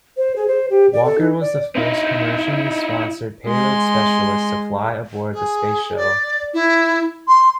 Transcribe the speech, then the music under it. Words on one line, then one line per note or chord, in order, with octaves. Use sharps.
Walker was the first commercially sponsored payload specialist to fly aboard the Space Shuttle.
C5
G#4
C5
G4
D5
A4
D#4
D5
D#4 E4
G#3 C6
G#4
D5
E4
C6